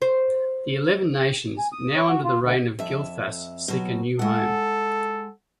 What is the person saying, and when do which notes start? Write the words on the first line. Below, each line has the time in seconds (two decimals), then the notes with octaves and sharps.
The elven nations, now under the reign of Gilthas, seek a new home.
0.02 C5
1.58 G#5
1.72 D#6
1.96 C#5
2.09 F#4
2.24 F4
2.41 D2
2.79 F2 E5
3.68 B2 F#3
4.19 G#3 A4 F#5